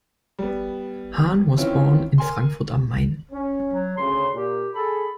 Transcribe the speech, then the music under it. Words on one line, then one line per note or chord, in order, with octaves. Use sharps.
Hahn was born in Frankfurt am Main.
G3 B3
D#3 E3 C4 C#4 E4 F4
A#4 G#5 C6
C#4
F#3
D2 C#3 C6
A#2 G4
G#4 A4 B5